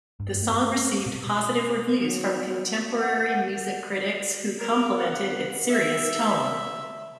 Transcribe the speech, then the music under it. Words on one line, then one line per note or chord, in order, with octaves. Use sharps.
The song received positive reviews from contemporary music critics, who complimented its serious tone.
G2
A3
B2
F#3
F#5
A#4
F#5
E5